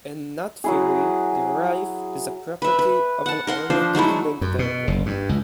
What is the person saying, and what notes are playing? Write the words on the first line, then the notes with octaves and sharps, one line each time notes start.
In knot theory, the "writhe" is a property of an oriented link diagram.
F#3 E4 G#4
B4 E5
B4
F#5 A5
A#4 F#5 C6
F3 D4 C5
F#3 G#3 A3 E4
F#2
B2
F#1
G2
C#2